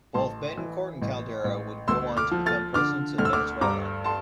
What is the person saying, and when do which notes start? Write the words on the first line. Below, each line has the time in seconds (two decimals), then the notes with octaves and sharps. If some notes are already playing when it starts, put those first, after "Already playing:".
Both Betancourt and Caldera would go on to become presidents of Venezuela.
0.14 A1 A5 C6
0.58 E3
1.02 A1
1.44 A1
1.88 D2 C6 E6
2.17 D6 F6
2.31 F3
2.46 F6 A6
2.74 D3 D6 F6
3.18 D2 F6
3.25 E6
3.33 D6 F6
3.61 G2 A#5 D6
4.04 A5 C6